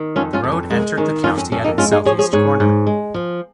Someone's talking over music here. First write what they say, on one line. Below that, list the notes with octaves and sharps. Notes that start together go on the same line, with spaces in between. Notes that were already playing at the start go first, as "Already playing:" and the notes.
The road entered the county at its southeast corner.
Already playing: D#3
F2 C#4 F4
C#4 F4
F2
C#4
G#3 A#3
D#3 C#4
F2 C#4 F4
C#4
F2 C#4
A#3 D#4
G#3 C#4 F4
D#4 G#4
F3 G#4 C#5
G#4 C#5
G#2 G#4 C#5
G#2
G#3
F3